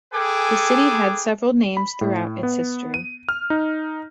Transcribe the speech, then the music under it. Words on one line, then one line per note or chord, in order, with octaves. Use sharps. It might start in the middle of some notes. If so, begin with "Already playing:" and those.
The city had several names throughout its history.
G#4 A4 B4 G5 G#5 D6
B5
A2
B3
D#7
F6
D#4